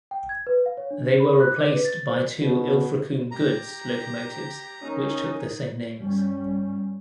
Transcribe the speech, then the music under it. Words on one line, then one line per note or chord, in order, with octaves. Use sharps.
They were replaced by two "Ilfracombe Goods" locomotives which took the same names.
G5
G#6
B4
F5
C#5
D4
B5
F#6
D6
B4
A6
C5
B2
G4 A#5
D#3 C#4 D#4
G2 G3 C#4